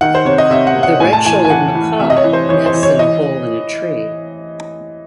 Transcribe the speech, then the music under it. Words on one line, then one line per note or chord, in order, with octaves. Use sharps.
The red-shouldered macaw nests in a hole in a tree.
D#3 F#5
C5
C3 C#5
D#5
C3 E5
F#5
C3
F#5
A2 G#5
A5
E3 G#5
G#5
E3 F#5
E3
C3 E5
D#5
C#5
E3
C5
E3 C#5
C5
E3
C#5
E3 D#5